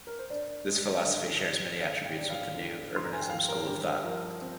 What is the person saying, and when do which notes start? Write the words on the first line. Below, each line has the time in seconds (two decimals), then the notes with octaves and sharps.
This philosophy shares many attributes with the new urbanism school of thought.
0.07 A#4
0.19 C5
0.30 D4 D5
0.68 G#3
1.05 D3 D#5
1.43 D4
1.80 D4 F5
2.05 G5
2.18 D4
2.30 F5
2.55 D3
2.92 D3 C6
3.05 A#5
3.13 G#5
3.21 G5
3.29 F3 F5
3.49 A#4
3.66 G2 G4
3.86 C5
4.04 F3 A#4
4.41 C4